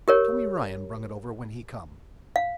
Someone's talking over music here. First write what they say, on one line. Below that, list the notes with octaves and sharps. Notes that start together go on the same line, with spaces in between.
Tommy Ryan brung it over when he come.
G4 A#4 C#5
F5